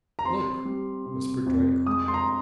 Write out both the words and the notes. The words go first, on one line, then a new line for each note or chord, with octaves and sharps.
"Look," whispered Drake.
A#5
C4 C6
G3
C3
F2
G#3 D#6
C6
A#5